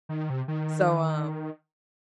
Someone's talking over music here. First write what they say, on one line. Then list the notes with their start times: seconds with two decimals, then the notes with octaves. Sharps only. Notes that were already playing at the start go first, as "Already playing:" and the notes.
So, um
0.09 D#3
0.30 C3
0.48 D#3